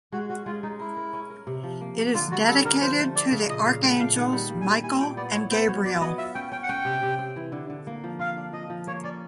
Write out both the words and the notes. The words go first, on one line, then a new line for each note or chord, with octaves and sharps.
It is dedicated to the archangels Michael and Gabriel.
G#3 F#4
C#4 F#4
G#3 F4
G#3 D#4
E4 A#4
A#4
C#4
A#4
C3
F3
A#3
A#3
D3 F4
G3 F#4
G3 A4
D3 A#4
F3 C5
A3
C4 D5
C#3
A#2 D#5
A#2 F5
A3 G5
A#2 F5
D#3 F#5
G3
A#3
G#5
G3
E4 G#5
A#2 G5
B3 D5
E4 C#5
B3 C5
F#3 C#5
F#3 D5
B3 D#5
F4 E5
C#4 G5
C#4 G5
F#5
C#4 G5
C3
C3
C4
E3
D3
D3
A#3
F3
F4 F5
D4
F3 D#5
F3
A#3 C#5
C#4 D5